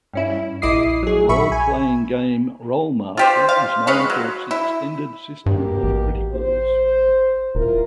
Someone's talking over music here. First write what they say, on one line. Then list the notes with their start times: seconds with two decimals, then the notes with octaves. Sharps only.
The roleplaying game "Rolemaster" is known for its extended system of criticals.
0.13 G2 C#4 E4
0.62 A#1 E4 D#5 D6 D#6 C7
1.03 F#3 G#4
1.29 A#1 E5 B5 C#6
1.52 G#5
3.17 F4 G4 C5
3.49 F5
3.87 G#3 B4 C#5 F5
4.10 F#3
4.51 E4
5.46 G2 B2 A#3 G4
5.83 A1
6.33 C5
7.55 D#1 E4 F4 A#4